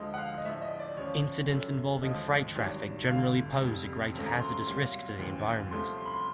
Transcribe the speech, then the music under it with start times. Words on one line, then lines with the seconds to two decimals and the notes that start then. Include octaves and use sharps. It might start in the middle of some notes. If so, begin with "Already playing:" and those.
Incidents involving freight traffic generally pose a greater hazardous risk to the environment.
Already playing: D2 D3 F3 G#3 D#5
0.14 F#5
0.18 F5
0.38 D#5
0.45 A#1 A2 F3 E5
0.62 D#5
0.79 D5
0.97 D#2 C#3 F3 C#5
1.50 F#2 C#3 F#3 A3
2.02 D#2 D3 F3 G#3 D#5
2.56 G#1 G2 D#3 F#3
3.08 D2 D3 G3 F5
3.61 F1 F2 C3
4.14 E1 D#2 C#3 F3 A3
4.26 A#5
4.40 C6
4.53 C6
4.67 C2 A#2 F#3 A#3
5.19 E1 D#2 C#3 E3
5.71 C2 A#2 F3 A3 C6
5.98 C6
6.05 B5
6.13 C6